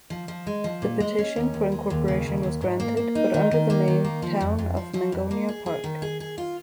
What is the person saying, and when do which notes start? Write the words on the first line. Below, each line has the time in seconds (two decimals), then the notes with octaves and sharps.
The petition for incorporation was granted but under the name Town of Mangonia Park.
0.10 F3
0.28 F3
0.47 G#3
0.64 F3
0.82 A#2
1.00 G#3
1.19 C#4
1.36 D#2
1.54 D#2
1.72 G#3
1.90 D#2
2.08 C#3
2.26 D#2
2.43 D#2
2.61 G#2
2.80 A#3
2.97 A#3
3.15 D#4
3.34 D#3
3.51 D#3
3.70 A#3
3.88 D#3
4.04 A#3
4.22 F3
4.41 F2
4.58 F2
4.77 F3
4.94 F3
5.12 F2
5.31 A#3
5.49 G#4
5.66 G#4
5.84 D#3
6.02 G#4
6.20 G#4
6.38 F4